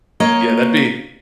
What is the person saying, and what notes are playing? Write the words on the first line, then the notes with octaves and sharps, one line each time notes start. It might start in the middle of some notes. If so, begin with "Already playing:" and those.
Yeah, that'd be
A#3 C#5 D#5